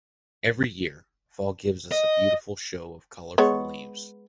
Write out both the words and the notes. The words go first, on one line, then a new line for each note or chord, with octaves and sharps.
Every year, fall gives us a beautiful show of colorful leaves.
D#5
G#3 B3 C#5